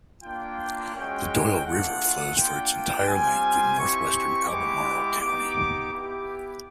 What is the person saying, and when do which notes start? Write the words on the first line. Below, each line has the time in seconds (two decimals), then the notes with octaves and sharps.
The Doyles River flows for its entire length in northwestern Albemarle County.
0.24 A#3 D4 F4 G5
0.95 G#3 C#4 F#4 G5
1.66 A3 D4 F4 F#5
2.37 A#3 D4 F4 G5
3.08 G3 C4 F4 G#5
3.78 C4 E4 G4 C#6
4.49 G#3 B3 E4 G4 D6
5.20 B3 D#4 G4 D6
5.91 B3 E4 G4